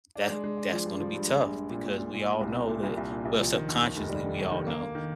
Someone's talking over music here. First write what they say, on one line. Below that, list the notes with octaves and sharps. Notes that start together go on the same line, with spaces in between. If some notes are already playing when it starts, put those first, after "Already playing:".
that that's gonna be tough because we all know that well, subconsciously we all know
D4
G#3
G#3
D4
F3
G2
F3
G2
G#3
A#1
A#1
A#2
A#2
G#3
A#2
A#2
C2
C2
A#2
C2
C2
A#2
C2
F3
D#3
D#2
D#3
F1
G3
F1
D#2
D#3
A#3
A#3
D#3